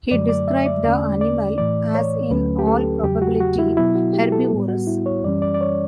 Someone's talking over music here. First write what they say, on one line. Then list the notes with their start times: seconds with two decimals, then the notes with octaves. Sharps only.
He described the animal as in all probability, herbivorous.
0.11 F#2 D3 F#3 A3 D5
0.29 D5
0.48 E5
0.66 D5
0.84 E2 D3 A3 C#4 D5
1.21 D5
1.58 A2 E3 A3 D5
1.95 C#5
2.31 D2 D3 F#3 A3 C#4 B4
2.59 G4
2.67 A4
3.04 E2 C#3 F#3 G4
3.22 F#4
3.40 F#4
3.59 E4
3.77 B2 F#3 B3 E4
3.95 F#4
4.13 G4
4.32 A4
4.51 A2 G3 B3
4.68 F#4
4.87 E4
5.06 C#5
5.24 F#2 E3 G3 C#4 D5
5.42 D5
5.54 D5
5.61 C#5